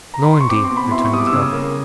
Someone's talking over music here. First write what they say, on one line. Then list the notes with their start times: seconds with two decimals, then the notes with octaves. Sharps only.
'No, indeed,' returned his daughter.
0.14 A#5
0.23 B5
0.33 C6
0.41 C#6
0.49 C4 D6
0.64 C6
0.70 B2
0.77 B5
0.91 E4 C6
1.05 C#6
1.12 G3 D#6
1.18 D6
1.27 E6
1.32 C#3 D#6
1.53 A#3